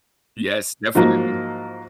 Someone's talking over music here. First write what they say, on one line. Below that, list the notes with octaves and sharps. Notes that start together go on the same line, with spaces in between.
Yes, definitely.
G#2 F3 F#3 A#3